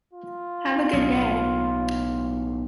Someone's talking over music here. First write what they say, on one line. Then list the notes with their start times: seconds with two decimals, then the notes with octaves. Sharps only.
Have a good day.
0.13 F4
0.93 B1 A2